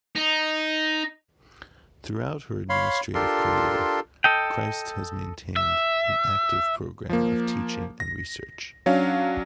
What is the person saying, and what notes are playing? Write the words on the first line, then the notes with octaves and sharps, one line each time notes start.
Throughout her administrative career, Christ has maintained an active program of teaching and research.
D#4
C#5 F5 B5 C6
D4 F4 G4 A4 A#4 C6
A4 D#5 G5
E5
F3 A#3
A#6
F#3 C#4 D4 F5